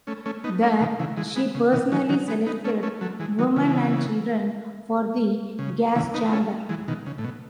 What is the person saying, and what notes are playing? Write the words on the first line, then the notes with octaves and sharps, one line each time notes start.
There, she personally selected women and children for the gas chamber.
A3 C#4
A3 C#4
B3 D#4
A3 C#4
B2 D#3
C#3 E3
E3 G#3
G#3 B3
C#3
B2 D#3
D#3 F#3
D#3 F#3
G#3 B3
B3 D#4
A3 C#4
A3 C#4
F#3 A3
E3 G#3
D#3 F#3
C#3 E3
C#3
C#3 E3
B3 D#4
A3 C#4
E3 G#3
B2 D#3
C#3
A2
B2